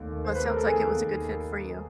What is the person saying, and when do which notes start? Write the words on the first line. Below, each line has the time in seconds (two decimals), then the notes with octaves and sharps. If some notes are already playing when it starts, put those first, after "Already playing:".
Well, it sounds like it was a good fit for you.
Already playing: D#2 A3
0.12 D#3
0.25 C5
0.35 A3 B4
0.46 A#4
0.56 A4
0.66 D#2 G#4
0.94 D#2
1.22 D#3
1.49 D#3